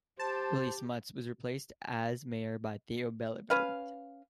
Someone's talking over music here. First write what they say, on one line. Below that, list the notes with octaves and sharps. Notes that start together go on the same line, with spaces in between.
Willie Smuts was replaced as Mayor by Theo Beyleveldt.
G4 C5 A5
C#4 B4 F5